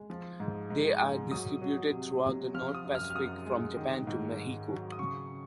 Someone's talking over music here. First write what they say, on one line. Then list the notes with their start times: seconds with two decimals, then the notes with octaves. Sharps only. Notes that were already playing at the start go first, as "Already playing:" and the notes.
They are distributed throughout the North Pacific, from Japan to Mexico.
Already playing: G#3
0.10 F3
0.40 G#2
0.70 G#2
1.01 G#3
1.31 F#3 D#6
1.62 F#3
1.93 C3
2.24 C3
2.54 F3 F6
2.74 D#6
2.85 F#2
2.95 F6
3.10 F6
3.15 F#2 D#6
3.45 G#3
3.77 D#3
4.07 G#2
4.37 G#2
4.69 F#3
4.92 D#6
4.99 C#3 C#6